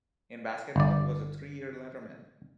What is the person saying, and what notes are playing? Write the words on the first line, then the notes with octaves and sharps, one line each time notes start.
In basketball, he was a three-year letterman.
G1 D5